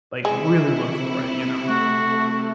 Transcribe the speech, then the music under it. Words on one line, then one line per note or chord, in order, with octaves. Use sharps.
like, really look for it, you know?
C3 G#3 E4
A3 F#4